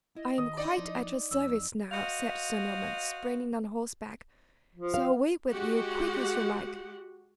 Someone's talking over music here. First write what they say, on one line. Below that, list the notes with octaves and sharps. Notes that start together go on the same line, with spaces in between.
"I am quite at your service now," said Sir Norman, springing on horseback; "so away with you, quick as you like."
E4 D#5
D#3 D#6
D#4 D5
F3 E4 C6
F2 E6
F#4 C5 D#5 F5
F3
F5
G#3 F#4 G4 F#5